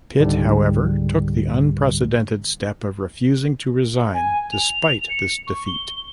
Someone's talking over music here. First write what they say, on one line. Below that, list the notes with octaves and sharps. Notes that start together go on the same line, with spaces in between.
Pitt, however, took the unprecedented step of refusing to resign, despite this defeat.
C#2 G#2 D3 G3
G#5
F7
C#7
C#6
G7